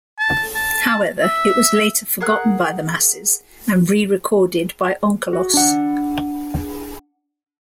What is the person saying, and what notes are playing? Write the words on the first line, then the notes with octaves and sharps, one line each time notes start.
However, it was later forgotten by the masses, and rerecorded by Onkelos.
A5
A5
E5
G#4 A#4 F#5 F#6
F#4
D4 F#5